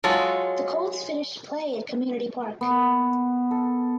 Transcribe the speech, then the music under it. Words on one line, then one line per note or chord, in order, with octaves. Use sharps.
The Colts finished play at Community Park.
F#3 G#3 F4 A4
B3
A4